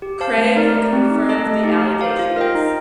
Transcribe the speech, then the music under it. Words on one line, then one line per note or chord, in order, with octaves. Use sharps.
Craigie confirmed the allegations.
G4
C5 F5 A5
A3
D#4 A#4 D5
A3
C4 G4
D#4
A4 D#5 A5
A3
D#4 G4
G4
C5 F5
F4
A#4 D#5 G5
D#4